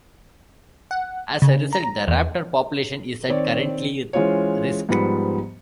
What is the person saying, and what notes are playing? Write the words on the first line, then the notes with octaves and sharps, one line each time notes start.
As a result, the raptor population is at currently risk.
F#5
C#3
A#5
E2
D#3 C4 C#5 D5
E3 G#3 C#4 F4 C5 C#5
G#2 F3 G3 B3 B5 C#7